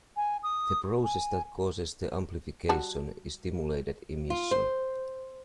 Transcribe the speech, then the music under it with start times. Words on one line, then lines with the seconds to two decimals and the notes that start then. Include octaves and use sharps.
The process that causes the amplification is stimulated emission.
0.17 G#5
0.43 D#6
1.04 G#5
2.69 G3 F#4 A5
4.30 F4
4.51 C5